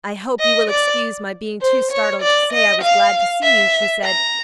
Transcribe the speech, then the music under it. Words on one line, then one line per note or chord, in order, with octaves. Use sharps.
"I hope you will excuse my being too startled to say I was glad to see you," she said.
D#5
D5
C5
C#5
D5
D#5
F5
E5
A#5